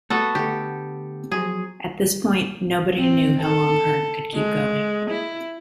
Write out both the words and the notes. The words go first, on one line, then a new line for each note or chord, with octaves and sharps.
At this point, nobody knew how long Hearne could keep going.
A3 B3 F#4 A4
D3 A3 G4
F3 F#3 G#4
C4
A4
G#3
E4